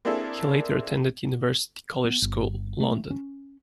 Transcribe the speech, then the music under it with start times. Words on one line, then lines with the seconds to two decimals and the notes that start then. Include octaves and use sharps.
He later attended University College School, London.
0.05 A#3 C4 D4 E4 G#4 A4
2.05 B3
2.22 G1
2.80 A3
3.11 C#4